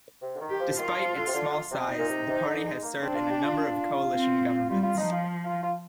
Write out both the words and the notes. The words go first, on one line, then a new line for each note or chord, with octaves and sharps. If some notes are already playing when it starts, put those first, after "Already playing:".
Despite its small size, the party has served in a number of coalition governments.
C3
D3
D#3
G4
F3
D#3 F4
F3
D3
C3
D3
C3
D#4
A#2
C3
C3
D3
G#3
A#3
C4 D4
F4
G4
G4
F4
C4
G3 F4
F4
F3 D#4
F4
F4
F4